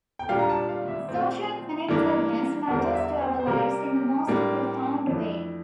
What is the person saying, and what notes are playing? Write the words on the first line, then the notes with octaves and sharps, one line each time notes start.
Social connectedness matters to our lives in the most profound way.
G5
A#2 G3 D4 F5
A#5
A5
F5
E5
A#2 A3 C4
G2 E3 A#3 D4
E2 D3 G3 A#3 A#4
C5
D5
E5
C5
C5
C3 G3 A#3 A#4
A2 G3 A#3 D4
F2 E3 A3 D4